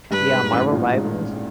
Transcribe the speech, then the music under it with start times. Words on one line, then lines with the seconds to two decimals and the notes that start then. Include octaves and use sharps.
Yeah, Marvel Rivals
0.11 G2 B4
0.31 G#2
0.51 A1 A2
0.71 A#1 A#2
0.92 G#2
1.32 A2